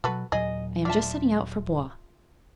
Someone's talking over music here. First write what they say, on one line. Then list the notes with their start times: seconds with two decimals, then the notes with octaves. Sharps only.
I am just setting out for Blois.
0.04 B2 F#3 F#4 A4 B4
0.32 D#2 A#2 F#3 G#4 D#5
0.85 D4 F4 E5 A5